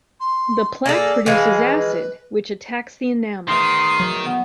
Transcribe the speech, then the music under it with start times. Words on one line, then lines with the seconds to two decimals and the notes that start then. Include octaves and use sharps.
The plaque produces acid, which attacks the enamel.
0.19 C6
0.86 A#3 G#4 A4 D5
1.26 E3 F3 G#3 F5
1.56 B4
3.49 E2 D#3 A3 C6 D#6
4.00 F#3
4.25 B3